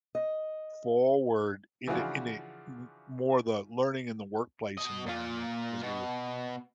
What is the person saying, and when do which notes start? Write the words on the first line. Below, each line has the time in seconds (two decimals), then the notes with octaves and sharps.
forward in a in a m more the learning in the workplace environment because we would
0.15 D#5
1.87 C#3 E3 F3 D4 F4 F#4
4.78 B2 D#5
5.06 A#2 F4
5.83 B2